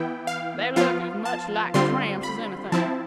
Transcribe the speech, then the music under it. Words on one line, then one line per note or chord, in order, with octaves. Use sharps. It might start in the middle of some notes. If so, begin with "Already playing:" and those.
They looked as much like tramps as anything.
Already playing: E3 B3 E4 G5
F5
F3 B3 F4 F5
A5
D3 G3 C4 F4 C6
B5
F3 C4 E4 A5